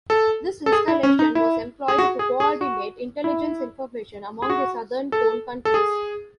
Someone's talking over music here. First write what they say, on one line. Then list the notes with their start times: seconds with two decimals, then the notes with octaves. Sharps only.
This installation was "employed to co-ordinate intelligence information among the southern cone countries".
0.10 A4
0.66 A4
0.72 G#4
0.88 E4
1.03 C#4
1.19 D#4
1.35 E4
1.88 G#4
1.99 F#4
2.19 G#4
2.40 G#4
2.61 F#4
3.24 E4
4.42 G#4
4.50 F#4
5.12 A4
5.65 A4
5.74 G#4